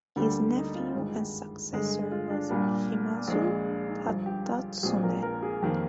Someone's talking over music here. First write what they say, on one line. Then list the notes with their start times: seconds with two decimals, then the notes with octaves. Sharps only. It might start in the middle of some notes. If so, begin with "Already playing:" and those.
His nephew and successor was Shimazu Tadatsune.
0.16 D2 D3 G3 A#3
0.55 D#4
0.75 F4
0.93 G#1 G2 D#3 G#3 F4
1.13 G4
1.72 G2 D3 G#3
2.11 F4
2.30 D4
2.49 C2 A#2 G3 A#3 D4
3.28 A#1 A#2 G#3
3.66 D4
3.87 D#4
4.06 G1 G2 F3 F4
4.26 G4
4.45 F4
4.83 A#1 A#2 F3 G#3 C4 G#4
5.03 A#4
5.23 A#4
5.42 G#4
5.62 F2 D#3 A#3 G4